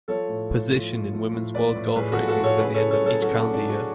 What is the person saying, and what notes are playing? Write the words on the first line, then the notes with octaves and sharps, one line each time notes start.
Position in Women's World Golf Rankings at the end of each calendar year.
F3 A4 C#5
A2
A2
F3
A2
F3
A2
A2 B4 D5
A2
A2 G#4 B4
F#4 A4
F3
F#4 A4
A2
A4 C#5
C#3 G#4 B4
A4 C#5
C#3
A4 C#5
F#3
A4 C#5
F#3 F#4 A4
C#4
D4
C#3
D4
C#3
F#4
G#4